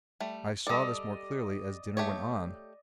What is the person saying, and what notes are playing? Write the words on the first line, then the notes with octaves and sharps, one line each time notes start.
I saw this more clearly as dinner went on.
G3 A3
G3 A4 D5 D#5
A3 G4 C#5